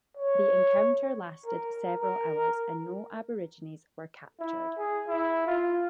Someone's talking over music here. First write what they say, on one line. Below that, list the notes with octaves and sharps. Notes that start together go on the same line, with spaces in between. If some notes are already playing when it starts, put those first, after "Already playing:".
The encounter lasted several hours, and no Aborigines were captured.
C#5
A#4
A#4
E4
G#4
E4
F4